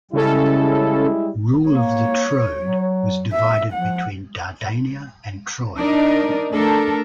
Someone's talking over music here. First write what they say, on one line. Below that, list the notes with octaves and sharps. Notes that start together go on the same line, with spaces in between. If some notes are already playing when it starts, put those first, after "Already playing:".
Rule of the Troad was divided between Dardania and Troy.
C#3 G3 G#3 C#4 E4 A4
A#3 C#5
F#3
E5
F3 F#5
D4 D#4 A#4 D5 D#5
A3 D4 A4 A#4